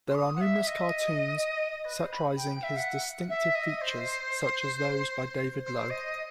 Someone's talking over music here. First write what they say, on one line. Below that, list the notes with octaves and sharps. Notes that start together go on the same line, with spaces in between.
There are numerous cartoons satirising his distinctive features, such as those by David Low.
C6
D#6
F#5
E5
D#5
D#5
B4
C5
B5
G5
G5
E5
F#5
E5
D#5
C5
C5
D#5